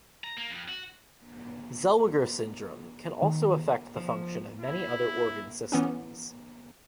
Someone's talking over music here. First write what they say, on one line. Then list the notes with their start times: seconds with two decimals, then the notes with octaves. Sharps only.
Zellweger syndrome can also affect the function of many other organ systems.
0.24 A#5
0.37 A#3
0.50 F2
0.69 F#4
3.22 D#3
3.97 F3
4.60 E4
5.72 E3 B3 C#4